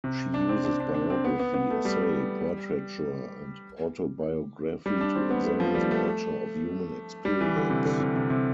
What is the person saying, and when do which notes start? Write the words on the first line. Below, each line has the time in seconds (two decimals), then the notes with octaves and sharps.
She uses biography, essay, portraiture and autobiography to examine the nature of human experience.
0.04 C3
0.34 D4
0.49 C4
0.64 D4
0.80 D4
0.94 D4
1.10 C4
1.24 B3
1.40 B3
1.54 B3
1.70 A3
1.85 G3
4.86 G3
5.01 D4
5.15 C4
5.30 B3
5.45 A3
5.60 F3
5.75 G3
5.91 A3
7.25 G3
7.41 E3
7.56 D3
7.70 C3
7.85 D3
8.00 C3
8.16 C3
8.30 C3